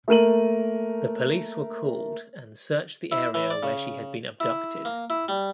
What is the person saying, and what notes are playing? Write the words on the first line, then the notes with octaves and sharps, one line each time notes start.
The police were called and searched the area where she had been abducted.
A3 A#3 A#4 D#7 F#7
E4
E3
D5
C#3
E4
A#3
E4
G3